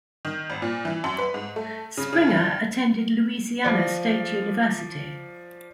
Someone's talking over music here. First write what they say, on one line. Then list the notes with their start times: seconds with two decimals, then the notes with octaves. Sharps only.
Springer attended Louisiana State University.
0.25 D#3
0.50 G#1
0.62 A#2
0.85 E3
1.04 F#2
1.18 B4
1.34 G#2
1.56 A3
1.97 C#3
2.13 C#3
2.28 G2
3.64 F3 D5